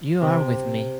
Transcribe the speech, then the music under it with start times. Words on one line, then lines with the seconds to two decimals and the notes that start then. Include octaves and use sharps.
You are with me.
0.21 C3